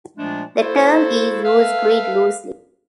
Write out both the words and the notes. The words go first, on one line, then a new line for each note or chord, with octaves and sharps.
The term is used quite loosely.
A#2 F3 G#3 A3 D4
A#3 E4 F#4 A4 C5
A4 B4 E5 F5